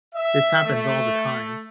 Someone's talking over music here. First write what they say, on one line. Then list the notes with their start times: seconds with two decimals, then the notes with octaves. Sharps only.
this happens all the time.
0.14 E5
0.65 A3